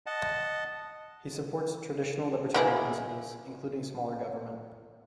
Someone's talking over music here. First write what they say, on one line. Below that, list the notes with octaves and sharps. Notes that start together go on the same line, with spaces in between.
He supports traditional libertarian principles, including smaller government.
D#5 F#5 A5
A#3 E4 G#4